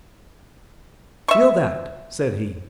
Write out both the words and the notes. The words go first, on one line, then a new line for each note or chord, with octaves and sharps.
"Feel that!" said he.
E5 C#6